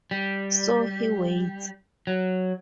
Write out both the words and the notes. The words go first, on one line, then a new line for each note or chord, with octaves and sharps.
So he waits.
G3
F#3